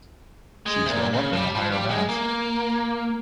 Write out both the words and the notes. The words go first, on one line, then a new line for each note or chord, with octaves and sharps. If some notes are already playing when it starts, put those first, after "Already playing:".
She's well up in the higher math.
G#3
C3
A#2
C#3
F3
G3
F3
G3
G#3
A#3